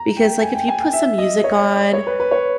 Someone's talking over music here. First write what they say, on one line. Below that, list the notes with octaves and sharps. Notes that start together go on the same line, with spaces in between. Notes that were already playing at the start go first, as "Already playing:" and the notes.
Because, like, if you put some music on,
Already playing: A#5
G5
G#5
G5
G#5
G5
E5
D#5
C#5
C#5
B4
B4
C#5